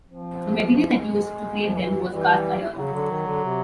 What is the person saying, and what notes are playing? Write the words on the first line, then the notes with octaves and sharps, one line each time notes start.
The material that was used to create them was cast-iron.
F3 C4
G#3
F3
E3
E3 G3
C#3 F#3
D3
D#3
D3
C3